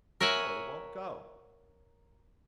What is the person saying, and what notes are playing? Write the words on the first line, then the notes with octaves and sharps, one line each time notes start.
Oh! it won't go.
A#4 C#5 E5 F#5 G#5